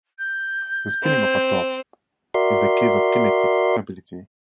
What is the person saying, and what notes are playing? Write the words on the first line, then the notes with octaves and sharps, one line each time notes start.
The spinning of a top is a case of kinetic stability.
G6
C4
F#4 A#4 D5 E5 C6